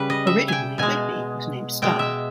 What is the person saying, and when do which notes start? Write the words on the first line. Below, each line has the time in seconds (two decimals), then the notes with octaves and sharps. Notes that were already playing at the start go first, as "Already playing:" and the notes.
Originally, Whitby was named Stahl.
Already playing: C#3 G3 B4
0.10 D#5
0.27 E5
0.48 G5 G#5
0.78 B2 G#3 G#5
1.82 B2 G#3 G5
1.99 E5